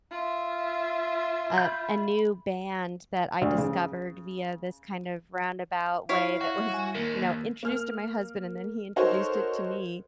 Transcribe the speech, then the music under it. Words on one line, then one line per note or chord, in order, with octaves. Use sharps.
uh, a new band that I discovered via this kind of roundabout way that was, you know, introduced to my husband, and then he introduced it to me,
F4 E5
B5 G6
D2
C#3
E4 C#5 F5
F#4
G3 G#5
D#2 A#3 A#4
A#3
A#3 F6
D#4 F#4 A4 A#4 C5 C#5